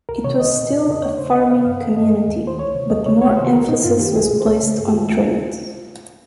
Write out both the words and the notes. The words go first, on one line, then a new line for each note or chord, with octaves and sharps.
It was still a farming community but more emphasis was placed on trades.
C2 A#4
C3 D#3 C#5
C2 D#5
A#2
F2
C#3 D#5
D#2 C#5
C#3 C5
C#2 D#5
C3 D#3 F5
G2 F5
D#3
G2 D#5
D#3
D#2
D#3 C5
C#2 C#5
C3 D#3
D#2 D#5
C#3 C#5
C2 C#5
C3 D#3 C5
C2 A#4
A#2 D#4
G2 F4
D#3 G4
C2 G#4
A#2
C5
C#2 C#5
C#3
G2 G#4
G4
D#3 F4
D#2 F4
D#4
C#3 F4